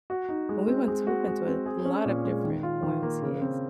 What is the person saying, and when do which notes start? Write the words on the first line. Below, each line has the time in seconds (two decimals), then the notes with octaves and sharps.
And we went to we went to a lot of different YMCAs.
0.10 F#4
0.29 D#4
0.49 G#3
0.68 C4
0.88 G#3
1.07 F#4
1.28 G#3
1.47 C4
1.66 G#4
1.85 C#4
2.06 A#2
2.25 G#3
2.44 D#3
2.63 F4
2.82 D#3
3.03 A#3
3.23 C#3
3.41 C4